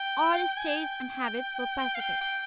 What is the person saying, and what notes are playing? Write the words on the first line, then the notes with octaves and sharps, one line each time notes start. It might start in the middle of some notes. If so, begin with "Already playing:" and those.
All his tastes and habits were pacific.
Already playing: G5
G#5
G5
G5
F5
G5
G5